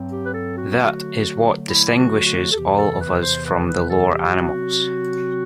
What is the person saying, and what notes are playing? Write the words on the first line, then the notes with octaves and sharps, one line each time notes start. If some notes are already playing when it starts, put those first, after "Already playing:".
That is what distinguishes all of us from the lower animals.
Already playing: G2 F#3 C4
G4
B4
A4
F#4
D3 F#3 A3
E4
F#4
F#4
A4
E2 C3 E3 G4
A4
B4
C5
B4
B4
A4
G4
C3 F#3 C4 F#4